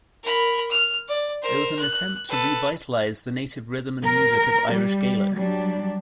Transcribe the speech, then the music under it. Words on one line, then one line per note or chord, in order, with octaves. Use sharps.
There was an attempt to re-vitalize the native rhythm and music of Irish Gaelic.
A#4 B5
F6
D5
A#4 C5
F#6
A4 B4
A#4
G3
F#3 G3 D4